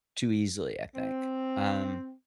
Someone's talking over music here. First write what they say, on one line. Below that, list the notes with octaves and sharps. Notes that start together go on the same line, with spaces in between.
too easily, I think. Um
C4